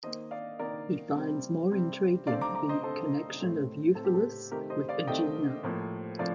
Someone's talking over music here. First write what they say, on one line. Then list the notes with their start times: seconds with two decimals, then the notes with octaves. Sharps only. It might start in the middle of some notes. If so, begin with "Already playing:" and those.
He finds more intriguing the connection of Eupolis with Aegina.
0.03 D#3 A#3 C5 D#5
0.31 D5 F5
0.59 D#3 A#3 A#4 D5
1.15 C3 G3 C4
1.71 C3 G3 C4
2.27 D3 A3 C4 D5 F5
2.41 A#5 D6
2.55 A#5 D6
2.69 C5 D#5
2.83 D3 A3 C4 A4 C5
3.40 A2 A3 C4
3.95 A2 A3 C4 A4
4.05 G4
4.14 A4
4.51 C3 D#3 A3 C4 G4 A#4
4.70 C5 D#5
4.89 D5 F5
5.07 C3 D#3 A3 C4 D#5 G5
5.63 A2 F3 A#3
6.19 A2 F3 D5 F5